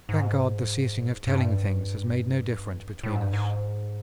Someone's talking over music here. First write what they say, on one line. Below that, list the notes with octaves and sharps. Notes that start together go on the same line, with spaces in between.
Thank God, the ceasing of telling things has made no difference between us.
G#2
G2
A2
G#2
G2
G#2